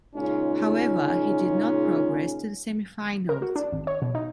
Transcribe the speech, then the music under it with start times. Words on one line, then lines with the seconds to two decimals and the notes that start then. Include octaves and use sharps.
However, he did not progress to the semi-finals.
0.16 A#2 C#3 G#3 C#4 D#4 F4
3.29 A#4
3.42 F#4
3.56 D4
3.72 G#1
3.87 C#5
4.02 B2
4.15 D#4